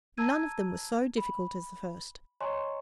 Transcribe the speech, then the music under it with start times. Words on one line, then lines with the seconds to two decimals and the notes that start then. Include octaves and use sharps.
None of them was so difficult as the first.
0.17 A5 A#5 E6 G#6 D#7
1.17 B5
2.41 C#5 D#5 G#5 A#5 C6 C#6